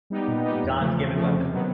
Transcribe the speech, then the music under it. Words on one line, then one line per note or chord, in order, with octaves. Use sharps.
God's given weapon.
G3 B3 D#4 G4
A#2
G3 B3 D#4 G4
E2
C#3 F3 A3
E2
C#3 F3 A3
C3
D#3 F#3 B3